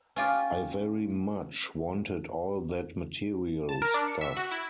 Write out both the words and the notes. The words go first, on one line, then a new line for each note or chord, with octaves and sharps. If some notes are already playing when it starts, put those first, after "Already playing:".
I very much wanted all that material stuff.
C#4 F4 G4
A5
A#4
D4
C#7
E5
F#4
E4